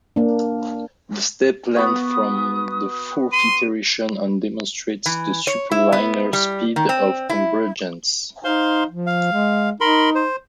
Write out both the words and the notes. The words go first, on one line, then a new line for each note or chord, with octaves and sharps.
The step length from the fourth iteration on demonstrates the superlinear speed of convergence.
A#3 D4
B3 F#4 D#6
C6 D#7
E3
C#5
E4
B3
G3
D#3
C4
E4
D#4 C5 F5 C6
F3
F5
G#3
D#4 A#4 B5 C6
C5